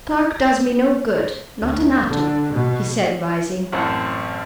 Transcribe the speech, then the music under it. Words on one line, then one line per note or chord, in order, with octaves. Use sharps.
"Clarke does me no good--not an atom," he said, rising.
D2
D3
B2
A1 F#2 C4 F#5 A5